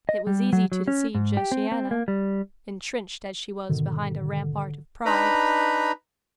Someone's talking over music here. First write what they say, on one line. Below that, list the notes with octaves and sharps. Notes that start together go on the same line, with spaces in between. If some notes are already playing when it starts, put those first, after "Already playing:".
It was easy to deceive Josiana, entrenched as she was behind a rampart of pride.
D#5
G3
F#3
F#3
C#4
G#2
G4
C4
C4
A#3
G3
G#2 B2 D3 D#3
D4 D#4 B4 A#5 B5